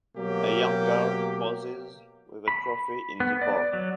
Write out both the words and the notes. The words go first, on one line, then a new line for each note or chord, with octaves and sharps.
A young girl poses with a trophy in the park.
B2 F#3 A#3 G4
B5
B3
D5
F#3